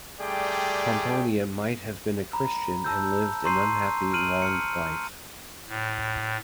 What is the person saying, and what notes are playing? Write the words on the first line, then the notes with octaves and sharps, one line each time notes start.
Pomponia might have been a Christian and lived an unhappy long life.
G3 A3 G#4 D5 G5
A#5 B5
A5 E6 G6
A#5 C6 C#6 G6 C7 D#7
F6 D7 D#7 F#7
F6 C#7
A2